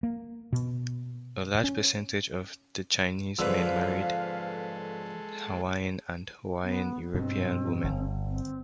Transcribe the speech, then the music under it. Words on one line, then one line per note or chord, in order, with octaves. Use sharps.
A large percentage of the Chinese men married Hawaiian and Hawaiian European women.
A#3
B2
C#4
F2 G#2 D3 G#3 A4 B4 F5 E6
B3
G2 B2 C4
G1
C4